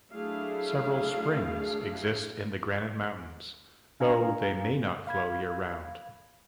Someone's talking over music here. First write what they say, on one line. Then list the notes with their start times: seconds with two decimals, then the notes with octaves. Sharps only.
Several springs exist in the Granite Mountains, though they may not flow year round.
0.12 F#3 A3 D4 E4 G#4 F5
4.00 D4 F5 G#5 A#5
5.07 F5 B5 G#6